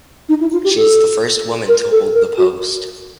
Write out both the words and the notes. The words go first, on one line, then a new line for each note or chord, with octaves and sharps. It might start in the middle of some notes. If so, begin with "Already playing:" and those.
She is the first woman to hold the post.
D#4
E4
F4
G4
A4
A#4
A4
A#4
F#4